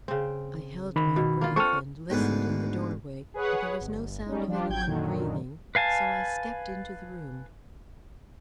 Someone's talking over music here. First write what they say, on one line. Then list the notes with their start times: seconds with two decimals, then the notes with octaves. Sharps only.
I held my breath and listened in the doorway, but there was no sound of any one breathing, so I stepped into the room.
0.08 C#3 C4
0.96 D#3 B5
1.16 B2
1.41 A#3 F4
1.56 C4 D4 A4 C#6 F6
2.10 D2 G#2 B3
3.34 G#4 B4 C#5 F#5
3.81 G1
4.26 G3 C#4 D#4
4.48 F3 D4 F4 G4
4.69 G#1 F#3 G5 G6 G#6
4.87 F#2 A#2 D3 D#3 F#3
5.75 B4 F5 G#5 A5